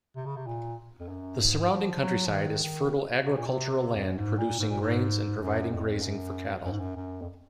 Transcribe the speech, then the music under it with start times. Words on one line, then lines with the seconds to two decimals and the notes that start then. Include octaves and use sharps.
The surrounding countryside is fertile agricultural land producing grains and providing grazing for cattle.
0.16 C3
0.26 C#3
0.36 C3
0.47 A#2
1.00 F2
1.09 F#2
1.39 G#2
1.70 F3
2.02 F#3
2.27 F3
2.32 D#3
2.64 D#3
3.25 C3
3.37 A#2
3.47 C3
3.95 F2
4.07 F#2
4.18 G#2
4.38 A#2
4.59 G#2
4.70 A#2
4.81 G#2
5.41 F#2
5.72 F2
6.03 F#2
6.65 F#2
6.72 G#2
6.80 F#2
6.96 F#2
7.21 F2